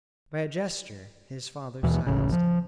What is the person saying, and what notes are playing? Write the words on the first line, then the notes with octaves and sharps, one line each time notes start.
By a gesture his father silenced him.
D#2 B2 E3
D1 A1 C#3
F3